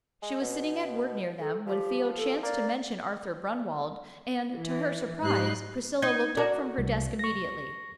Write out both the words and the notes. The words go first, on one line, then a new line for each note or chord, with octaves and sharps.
She was sitting at work near them, when Theo chanced to mention Arthur Brunwalde, and, to her surprise, Priscilla looked up from her desk immediately.
G#3
B2
A4
F3 G4
A4
A#3 D5
E3
G#2 G3 D#4 F#6 C7
D#4 G#6
F#4 A#4 D5
C2
C#6 A#6